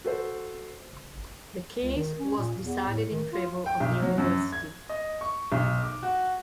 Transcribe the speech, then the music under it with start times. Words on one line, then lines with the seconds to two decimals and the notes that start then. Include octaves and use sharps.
The case was decided in favor of the University.
0.04 F#4 A4 C5
1.83 C#2
1.96 D#3
2.19 C#4
2.38 A#2
2.61 E2
2.87 A2
3.11 D#3
3.32 F4
3.66 G5
3.80 B1
4.02 F#3
4.18 F#2
4.52 G#6
4.89 D#5
5.21 C#6
5.52 B1
5.83 D6
6.03 F#4